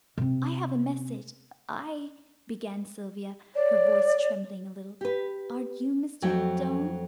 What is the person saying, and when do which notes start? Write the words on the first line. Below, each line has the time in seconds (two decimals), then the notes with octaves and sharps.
"I have a message, I--" began Sylvia, her voice trembling a little. "Are you Mr. Doane?"
0.18 C3 C4
3.55 C#5 D5
5.01 G4 B4
6.22 F2 F#3 A3 G5